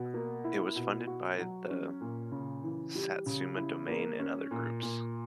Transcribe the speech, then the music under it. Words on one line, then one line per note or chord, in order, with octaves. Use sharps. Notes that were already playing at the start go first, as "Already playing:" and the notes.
It was funded by the Satsuma Domain and other groups.
Already playing: B2
A#3
E4
B2
F#4
F#3
C#4
A#2
C#3
E3
G3
C#3
E4
A#3
C#4
A#2
A#2